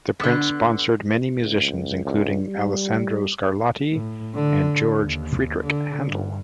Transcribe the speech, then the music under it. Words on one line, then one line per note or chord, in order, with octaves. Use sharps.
The prince sponsored many musicians including Alessandro Scarlatti and George Frideric Handel.
D3 B3
C#2
C#2
G3
A2
D3
D#2
D3
G2